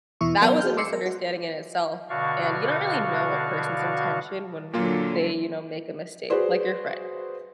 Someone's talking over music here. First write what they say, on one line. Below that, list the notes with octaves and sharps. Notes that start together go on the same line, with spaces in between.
that was a misunderstanding in itself, and you don't really know a person's intention when they, you know, make a mistake, like your friend.
E2 B2 E3 E4 C#6
F#3 B3 A#4 D5 F5 F#5
F#4 G#4 F6 G6
C6 D6 E6 C7 C#7
A#4
F#4
B2 D3 F#4 D5 F5 C#6
A#2 D3 F#3 A#3 F4
F#4 G#4 B4 C5 D5